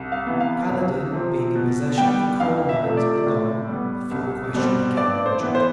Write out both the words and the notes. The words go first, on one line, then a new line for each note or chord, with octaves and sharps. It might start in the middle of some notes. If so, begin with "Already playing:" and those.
Kaledin being in possession of the coal-mines of the Don, the fuel question became urgent.
Already playing: C2
F5
C3 E3 B3
F5
C2
C3 F3 C4
B2
G3 B3 G5
F2 F5
E5
C3 F3 A3
D5
A2
G3 B3
C2
B2 G3 C4
G2 D5
C5
E3 B3
C5